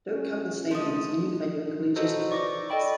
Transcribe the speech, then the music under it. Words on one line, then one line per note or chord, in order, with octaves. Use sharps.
Doak Campbell Stadium is a unique venue in collegiate athletics.
A3 C#4
C#3 F3 G#3 A3 D#5
D#4 F#4 A4 B4 C5 D#5
D5 C#6 D6 A#6
A4 D5 D#5 G5 B5